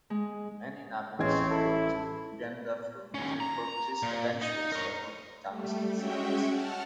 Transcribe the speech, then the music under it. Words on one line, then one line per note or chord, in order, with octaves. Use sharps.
Many Nubians brought to Uganda for military purposes eventually settled in towns and cities.
G#3
A1 G#3 C4 C#5 G#6
E4 A4
D#2 C#4
A#5
A#2
D#4
A#4 C#5
G3 A3
G#3 C#4 F#4 C#5 E5 G5
F#5 A5 F6